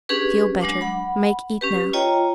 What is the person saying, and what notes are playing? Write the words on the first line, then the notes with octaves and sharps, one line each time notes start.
"Feel better, make eat now."
C#4 D4 G4 G#4 B4
F#3 G#3 D4 D6
F#5 B5
C#4 G4 B4
F4 C#5 D#5 G5 A#5